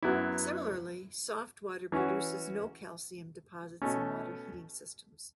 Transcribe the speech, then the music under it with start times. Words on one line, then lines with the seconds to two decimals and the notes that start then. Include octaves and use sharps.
Similarly, soft water produces no calcium deposits in water heating systems.
0.03 F#2 F#3 B3 E4
1.92 E3 C#4 F#4
3.82 B2 A3 C#4